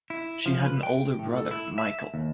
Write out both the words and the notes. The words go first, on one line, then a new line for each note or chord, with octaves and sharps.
She had an older brother, Michael.
E4
F3
B4
G5
A2
A4
E4
E5
D#2